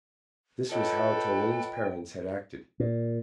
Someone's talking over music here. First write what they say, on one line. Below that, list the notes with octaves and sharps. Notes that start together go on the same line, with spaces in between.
This was how Toline's parents had acted.
F4 A4 B4 C#5 D#5 G5
A#2